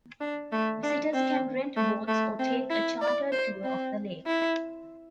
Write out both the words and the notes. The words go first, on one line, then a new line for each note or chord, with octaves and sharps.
Visitors can rent boats or take a chartered tour of the lake.
D4
A3
D4
C4
A3
A3
C4
E4
D5
C5
C4
E4